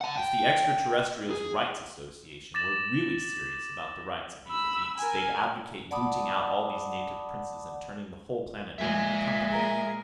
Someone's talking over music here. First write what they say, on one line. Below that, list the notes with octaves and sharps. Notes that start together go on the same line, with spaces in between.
If the Extraterrestrial's Rights Association were really serious about the rights of these geeks, they'd advocate booting out all these native princes and turning the whole planet over to the Company.
F#5 A5
G5
G#4
D6 A6 A#6 E7 F#7
B5 E6
A#4 G#5
D5 F#5 A5 B5 D6 D#6
A#2 G#3 E5 G#5
G#4 A#4